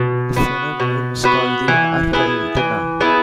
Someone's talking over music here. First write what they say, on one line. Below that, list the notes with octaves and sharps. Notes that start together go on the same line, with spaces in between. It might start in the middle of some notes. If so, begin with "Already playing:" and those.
The funeral meal was called the Arvel-dinner.
Already playing: B2
B3 F#4
B2
B3 F#4
E3
B3 E4 G#4
E3
B3 E4 G#4